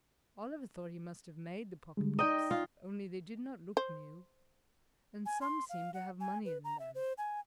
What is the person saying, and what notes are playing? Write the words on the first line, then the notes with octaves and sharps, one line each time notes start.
Oliver thought he must have made the pocketbooks, only they did not look new, and some seemed to have money in them.
D3 G3 G#3
D#4 D5 D#5 G5 A#5
F4
C5
G#5
C6
F5
F#5
G#5
B4
A#5
E5
C5
G#5